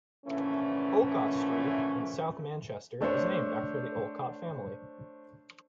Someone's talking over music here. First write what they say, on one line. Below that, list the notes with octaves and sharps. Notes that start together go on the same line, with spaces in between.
Olcott Street in South Manchester is named after the Olcott family.
A#2 D3 E3 F3 A3 C#4
A3 D4 C5 C#5